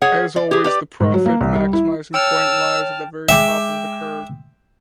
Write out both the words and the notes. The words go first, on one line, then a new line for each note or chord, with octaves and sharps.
As always, the profit maximizing point lies at the very top for the curve.
G#4 C#5 F#5
D5
G4 G#4
G4 B4 D5
G#2
F#3
A#3
C2
G3
E4
C#5 G5 A5 E6 F6
G#3 E5 G5 D6